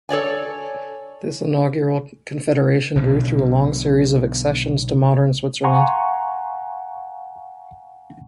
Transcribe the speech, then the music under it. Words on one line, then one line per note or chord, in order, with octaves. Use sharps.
This inaugural confederation grew through a long series of accessions to modern Switzerland.
A4 C#5 D5 G#5
B1 B2 D3
F5 F#5 G#5 A#5 C6 C#6